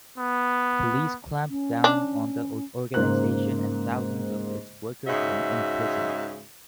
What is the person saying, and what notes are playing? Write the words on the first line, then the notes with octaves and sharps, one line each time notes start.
Police clamped down on the organisation and thousands of its workers were imprisoned.
B3
C#4
D4
G#2 C#3 A#3 C5 F#6
G#2 C#3 G#3 F#4 E5